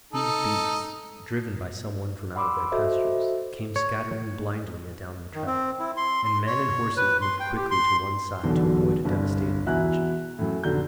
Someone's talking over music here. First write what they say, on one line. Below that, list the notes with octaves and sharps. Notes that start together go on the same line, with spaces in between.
These beasts, driven by someone from out of their pastures, came scattering blindly adown the track; and men and horses moved quickly to one side to avoid a devastating collision.
D#4 A4
F#5 B5 C6 D6 E6
F#4 A4 C5 D#5 E5
C#5
D#3
C4
E4
C6
C6
C#5
B4
C6
G5
G4
C6
B1 E2 B2 D3 F#3
G1 C2
E2 B2 E4 G#5 A#5 F#6
F#2 A2
F1 B2 D3 A#5 G6